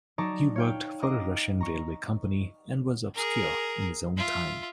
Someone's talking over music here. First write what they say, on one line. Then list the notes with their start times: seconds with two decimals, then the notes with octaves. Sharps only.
He worked for a Russian railway company and was obscure in his own time.
0.18 F#3 D#4 D5 A5 A#5 C#6
0.56 C#5 F5 G5
1.02 D#5 A#5 D6 C7 D7
1.60 A#5 C#6
3.14 G#4 A#4
4.17 F4 E5